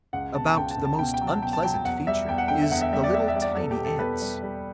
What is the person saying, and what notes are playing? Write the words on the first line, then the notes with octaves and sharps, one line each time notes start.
About the most unpleasant feature is the little tiny ants.
C#2 F#5
B2 A5
A5
C#2 G5
A5
C#2
A5
B2 G5
G5
F#3
A5
B2 G5
A5
F#3 G5
G5
E2 F#5
G3 E5
E2 G5
F#5
D3 G5
E5
E2 F#5
E5
G3 E5
D5
G3 E5
E5
G3
D5
E2 A4
G4
B2
A4
E2 B4
G3
G3